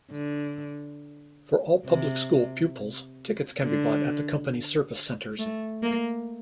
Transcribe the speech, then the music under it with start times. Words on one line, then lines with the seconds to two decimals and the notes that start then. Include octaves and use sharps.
For all public school pupils tickets can be bought at the company service centers.
0.11 D3
1.87 C3
3.63 D3
5.39 A3
5.83 A#3